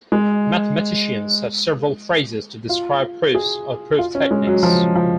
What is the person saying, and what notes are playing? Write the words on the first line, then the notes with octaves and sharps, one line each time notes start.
Mathematicians have several phrases to describe proofs or proof techniques.
G#3
F4
G#4
F4
C#4
G#3
F#3
F3
F3